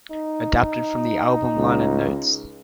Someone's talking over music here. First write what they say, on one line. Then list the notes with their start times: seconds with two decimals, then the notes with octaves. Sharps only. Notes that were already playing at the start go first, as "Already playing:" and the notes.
Adapted from the album liner notes.
0.11 D#4
1.56 C#2